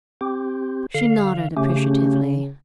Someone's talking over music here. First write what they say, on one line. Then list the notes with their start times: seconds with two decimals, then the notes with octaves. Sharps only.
She nodded appreciatively.
0.21 C4 G4
0.95 D3 F5
1.57 C#3 A3 C#4 G4